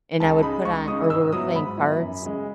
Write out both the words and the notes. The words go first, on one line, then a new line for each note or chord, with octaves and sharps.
and I would put on or we were playing cards,
C#2 A5
C#3 G#3 D#4 B5
C#2 C#6
C#3 G#3 D#4 D#6
G#2 E6
F#3 B3 E4 D#6
G#2 B5
F#3 B3 E4
F#2
C#3 G#3